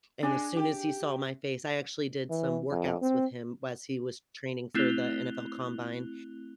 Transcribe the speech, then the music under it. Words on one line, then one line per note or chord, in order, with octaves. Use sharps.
and as soon as he saw my face I actually did some workouts with him whilst he was training for the NFL Combine,
G#3 D4 G#5
G4
E3
F2
C4
A3 C4 E4 F#6 F7 G7